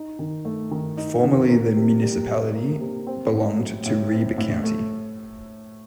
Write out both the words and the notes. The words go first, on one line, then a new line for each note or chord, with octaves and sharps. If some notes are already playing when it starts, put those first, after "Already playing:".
Formerly the municipality belonged to Ribe County.
Already playing: D#4
D#3
A3
D#3
D#4
D#3
A#3
C3
G3
C3
A#3
C3
C4
A2
F#3
A2
C4
A2
A3